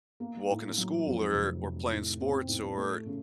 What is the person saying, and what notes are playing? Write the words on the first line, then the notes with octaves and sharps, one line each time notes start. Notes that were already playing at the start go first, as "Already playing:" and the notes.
walking to school or or playing sports or
A#3
A2
F#3
F2
F1
F1
A2
C4
A2
A3
C#3